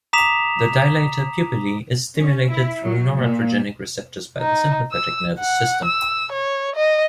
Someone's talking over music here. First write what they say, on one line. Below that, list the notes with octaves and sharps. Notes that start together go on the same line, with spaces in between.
The dilator pupillae is stimulated through noradrenergic receptors by the sympathetic nervous system.
A#5 D6 D#6 B6 E7 F7
C#4
E4
F#3
A#2
D#4
E6
F#5
E6
C#5
D#5